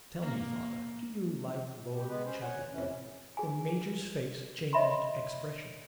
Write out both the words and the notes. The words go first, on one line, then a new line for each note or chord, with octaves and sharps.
'Tell me, father, do you like Lord Chadwick?' The Major's face changed expression.
A#3
G4
G#3 B3 B4
C#4 C5
C#5 F#5 G#5
F2 A2 C3 E3 C#4
G#4 G#5
C#5 D#5 E5 B5 C6